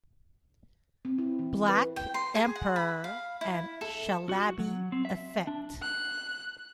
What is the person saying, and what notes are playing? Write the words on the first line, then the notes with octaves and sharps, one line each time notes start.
Black Emperor and Shalabi Effect.
C4
E4
E3
B4
G5
C6
G#4
F#5
B5
F5
E4
A4
F#4
F#3
C4
E5
D4
F#6